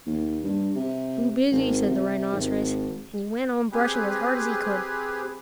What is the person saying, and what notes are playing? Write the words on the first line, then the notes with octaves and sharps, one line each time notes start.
"Too busy!" said the rhinoceros, and he went on brushing as hard as he could.
D#2
G2
C3
G#1
C3
G#1
C4 G4 G#4 B4